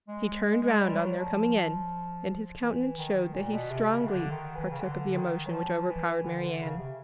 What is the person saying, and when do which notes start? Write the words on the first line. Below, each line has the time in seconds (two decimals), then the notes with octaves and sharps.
He turned round on their coming in, and his countenance shewed that he strongly partook of the emotion which over-powered Marianne.
0.08 G#3
0.44 G#3
0.62 G#3
0.80 G3
0.98 F#3
1.17 F3
2.62 E3
2.98 D#3
3.34 A#2
3.52 B2
3.71 C3
3.89 C#3
4.07 D3
4.31 D#3
4.55 E3
4.71 C#3
4.79 D3
5.16 D#3
5.46 F#3
5.51 F3
5.88 E3
6.25 D3
6.43 D3
6.61 C#3
6.78 C3